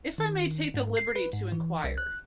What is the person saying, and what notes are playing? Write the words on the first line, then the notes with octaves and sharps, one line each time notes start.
If I may take the liberty to inquire.
D#3
G#2
C7
B4
G#2
E3
C2
F#6